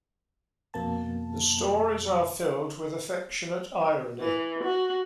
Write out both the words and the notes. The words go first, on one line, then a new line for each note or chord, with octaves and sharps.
The stories are filled with affectionate irony.
F2 B2 A#3 A5
E3
F#4